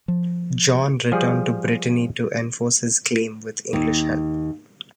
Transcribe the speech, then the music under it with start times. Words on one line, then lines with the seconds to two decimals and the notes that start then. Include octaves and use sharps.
John returned to Brittany to enforce his claim, with English help.
0.08 F3
1.12 F3 G3 G#4
3.73 D#2